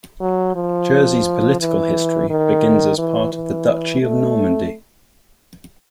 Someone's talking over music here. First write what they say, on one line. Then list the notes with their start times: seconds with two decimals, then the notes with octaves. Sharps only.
Jersey's political history begins as part of the Duchy of Normandy.
0.21 F#3
0.55 F3
1.60 E3
2.30 D#3
2.98 E3
3.33 E3
4.02 A3